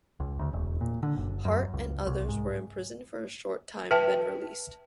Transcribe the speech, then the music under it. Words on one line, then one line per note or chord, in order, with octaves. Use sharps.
Hart and the others were imprisoned for a short time, then released.
C#2
D2
E1
A#2
D3
F#1
F#2
C#2
C2
G#2
B4 E5 G5 A5